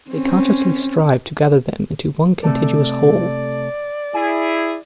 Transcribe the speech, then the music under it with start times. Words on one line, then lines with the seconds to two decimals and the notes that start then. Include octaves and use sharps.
They consciously strived to gather them into one contiguous whole.
0.10 C4 C#4
2.43 C3 A3 A4 D5
4.14 E4 G#4 G#5